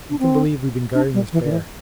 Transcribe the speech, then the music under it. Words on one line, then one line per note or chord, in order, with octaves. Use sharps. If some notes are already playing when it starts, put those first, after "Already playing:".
"Make them believe we've been guarding this bear!"
D4
C4
D4
G3
E3
D3
E3